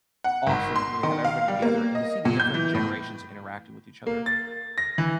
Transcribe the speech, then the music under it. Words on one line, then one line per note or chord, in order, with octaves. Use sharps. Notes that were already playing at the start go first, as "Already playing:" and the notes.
awesome to really have everybody together and to see the different generations interacting with each other.
F#5
G#1
C6
D#3
F5
G3
A#3
D#5
A#2
G6
E3
A2
A#3
A6
A#6
E3